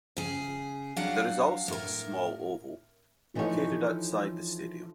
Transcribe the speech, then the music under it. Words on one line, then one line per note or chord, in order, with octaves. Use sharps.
There is also a small oval located outside the stadium.
C#3 G#4
F#3 D4 F5 F#5
A2 A#4
E3 F3 D#4 A4 C#5